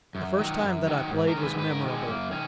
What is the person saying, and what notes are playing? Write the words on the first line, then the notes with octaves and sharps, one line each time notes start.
The first time that I played was memorable.
F#2
D#3 F#3
F#2
D#3 F#3
G#2
A#4
D#3 G#3 C#5
B4
G#2 B4
A#4
D#3 G#3
C#4
F#2 A#3
D#3 C#4